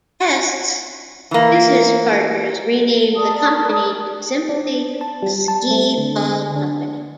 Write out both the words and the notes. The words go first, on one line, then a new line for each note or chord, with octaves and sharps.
Este's business partners renamed the company to simply the Skee-Ball Company.
E3 A#3
A#4 D5 A5 D#6
D4
A5
G3
A5
A3
D3
D4